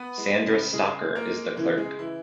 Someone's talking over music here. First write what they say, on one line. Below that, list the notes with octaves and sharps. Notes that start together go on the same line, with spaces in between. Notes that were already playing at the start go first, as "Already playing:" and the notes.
Sandra Stocker is the Clerk.
Already playing: B3 B4
G#3
C#3
C#3 G#3 G#4
G#3
A#3 A#4
G#3
C#3 E3 E4
G#3 G#4
C#3
E3 E4